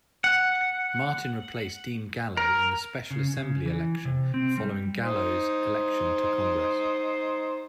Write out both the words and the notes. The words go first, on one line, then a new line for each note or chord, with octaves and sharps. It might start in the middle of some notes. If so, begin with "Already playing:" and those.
Martin replaced Dean Gallo in a special Assembly election following Gallo's election to Congress.
F#5
A#4
C#3
C#3
E3
C3
C4
G3
D#4 C5